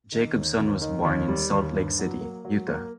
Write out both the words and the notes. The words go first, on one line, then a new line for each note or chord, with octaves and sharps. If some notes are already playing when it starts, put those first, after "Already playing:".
Jacobson was born in Salt Lake City, Utah.
D#3
D#2
D#2
D#3
D#2
G3
D#2
G2
F#3
A#3
F#3
A#3